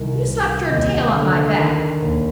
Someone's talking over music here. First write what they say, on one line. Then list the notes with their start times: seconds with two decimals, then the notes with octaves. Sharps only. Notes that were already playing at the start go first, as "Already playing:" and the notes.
"You slapped your tail on my back!"
Already playing: C2 D#3
0.26 C2
0.71 D#2 D#5
1.14 D3
1.58 D#3
2.02 D#2